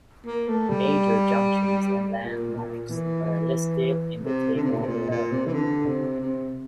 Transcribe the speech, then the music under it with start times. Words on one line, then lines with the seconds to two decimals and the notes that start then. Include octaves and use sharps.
Major junctions and lankmarks are listed in the table below.
0.26 A#3
0.48 A3
0.69 G3
2.23 A#2
2.57 A#2
2.90 E3
3.23 E3
4.22 C3
4.55 D3
4.63 C3
4.71 A#2
4.79 C3
4.88 A#2
5.10 A#2
5.32 C3
5.47 E3
5.54 D3
5.86 C3
6.20 C3